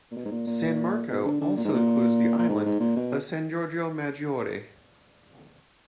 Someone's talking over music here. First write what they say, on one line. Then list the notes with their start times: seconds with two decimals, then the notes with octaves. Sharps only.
San Marco also includes the island of San Giorgio Maggiore.
0.11 A#2
0.16 B2
0.25 G#2
0.32 A#2
0.47 A#2
1.09 B2
1.25 D3
1.41 D3
1.57 A#2
1.65 G#2
1.74 A#2
2.39 A#2
2.49 G#2
2.65 G#2
2.80 A#2
2.97 B2